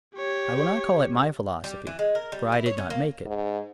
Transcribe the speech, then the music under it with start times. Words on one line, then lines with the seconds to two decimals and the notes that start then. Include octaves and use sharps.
I will not call it my philosophy; for I did not make it.
0.15 G4 C#5
1.64 G3
1.87 E3
1.99 G#3
2.15 A#4
2.32 G3
2.52 E4
2.66 C#5
2.78 C#4
2.90 A#3
3.26 G#2